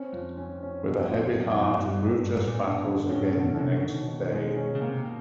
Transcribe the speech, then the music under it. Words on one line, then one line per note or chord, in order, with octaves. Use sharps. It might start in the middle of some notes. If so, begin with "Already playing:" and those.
With a heavy heart, Brutus battles again the next day.
Already playing: C4 C#4
F2 F3
C#4
C#4
B2
F4
F#2 B2
F#2 F4
G#2
G2 G3
G2 B3
G#2 B3
A#2
A2 D4
D3
A2 C#4
B2 D3
C3 C#4
B2 D#3
D#3
G#3
C#4
C#3
C3 A#3
B2